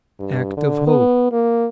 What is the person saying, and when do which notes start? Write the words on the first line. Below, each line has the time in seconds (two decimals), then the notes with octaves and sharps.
Act of Hope.
0.19 G2
0.57 D3
0.87 B3
1.32 A#3